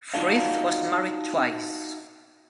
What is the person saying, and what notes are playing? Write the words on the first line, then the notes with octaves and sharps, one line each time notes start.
Frith was married twice.
D#4 F4 F#4 A4 D5 F5